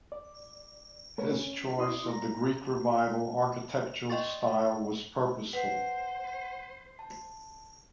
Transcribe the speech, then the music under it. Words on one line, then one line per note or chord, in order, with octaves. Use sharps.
His choice of the Greek Revival architectural style was purposeful.
D5
A3 A#4 B4 C#5
C#4
E4 D5 C6 D#6
A#5
D5 D#5 G5 C6 C#6 A6
B4 C5 F#5
A5